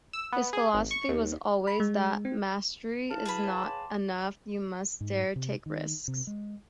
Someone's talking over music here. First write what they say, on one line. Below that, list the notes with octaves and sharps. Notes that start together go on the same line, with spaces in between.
His philosophy was always that "mastery is not enough; you must dare, take risks".
E6
B3
G#4
G#1
C#6
D#2
B5
G#3
C4
E4 F5 A5 F6
G#4 B4 B5
C#5 F5 G5
C6 D6
G#2
C3
D#3
C3
G#3